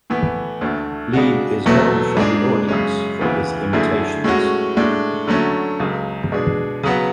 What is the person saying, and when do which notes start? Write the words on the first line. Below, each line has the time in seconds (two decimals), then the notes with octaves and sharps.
Leeb is known from the audience for his imitations.
0.10 A2 E3 B3
0.61 D2 D3 A3
1.13 C#3 G#3 D4 F#4
1.66 E2 B2 F#3 A3
2.17 G#2 G#3 D4 G#4
2.68 F#2 C#3 G#3 C#4
3.21 D2 C#3 E3 B3
3.73 F#2 D3 A3 E4 G#4
4.24 A2 G#3 C#4 F#4
4.77 A2 G#3 D4
5.27 D3 F#3 A3 C#4
5.80 C#2 C#3 F#3
6.32 B2 G#3 D4 G#4
6.83 C#3 F#3 B3